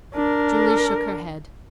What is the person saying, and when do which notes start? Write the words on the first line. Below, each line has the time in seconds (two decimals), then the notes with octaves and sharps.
Julie shook her head.
0.14 D4 A#4